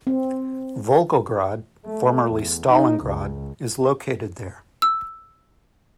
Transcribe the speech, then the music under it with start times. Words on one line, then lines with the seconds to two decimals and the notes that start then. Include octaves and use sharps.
Volgograd, formerly Stalingrad, is located there.
0.07 C4
1.86 A3
2.30 E2
2.67 D#4
3.04 C#2
4.82 E6